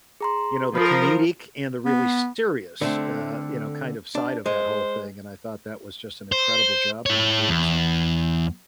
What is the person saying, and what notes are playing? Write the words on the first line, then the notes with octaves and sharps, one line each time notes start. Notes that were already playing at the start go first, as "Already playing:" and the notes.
you know, the comedic and the really serious, uh, you know, kind of side of that whole thing, and I thought that was just an incredible job that he did, so.
G#4 A#5 C6
F3 A#4 B5 D#6
B3
D3 A3 C4
D4
G#3 C5
C5
E4 C#5
E2